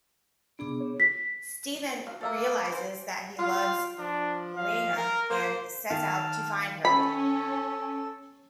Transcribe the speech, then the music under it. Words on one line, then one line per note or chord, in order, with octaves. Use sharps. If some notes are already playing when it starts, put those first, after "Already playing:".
Stefan realises that he loves Ileana and sets out to find her.
C3 B3 D4 G#4 D6
C#5
B6
F#4 F5
A#3 A4 E5 A#5
B4
E3 C5
F4 F5
F3 D4
F5
A#4
A#3 C5
D#3 F5 A5 F6
C#4 A4 B5